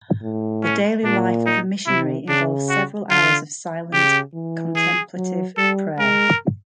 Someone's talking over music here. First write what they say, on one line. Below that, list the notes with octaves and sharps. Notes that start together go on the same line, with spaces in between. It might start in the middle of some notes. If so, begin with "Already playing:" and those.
The daily life of a missionary involves several hours of silent contemplative prayer.
A2
C#4
A#2 D4
D#4
C3 E4
C#3 D4
F#4
D3 F4
C#3 G4
E3
G#4
F#3
G3 A4
G#3 A#4